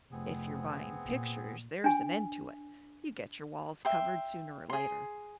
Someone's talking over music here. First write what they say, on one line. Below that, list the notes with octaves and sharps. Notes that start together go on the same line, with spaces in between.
If you're buying pictures, there's an end to it--you get your walls covered sooner or later.
F1 B3 C4 G#4
A#2
D4 G#5
E5 G5 C6
G#4 C6